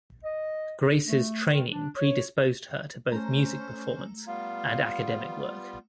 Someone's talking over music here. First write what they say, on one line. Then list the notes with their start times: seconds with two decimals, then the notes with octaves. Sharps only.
Grace's training predisposed her to both music performance and academic work.
0.24 D#5
1.06 A3
1.49 D#3
1.72 D4
1.96 C#5
3.12 A3 C#4 C5 A#5
4.26 G3 B3 F4 F5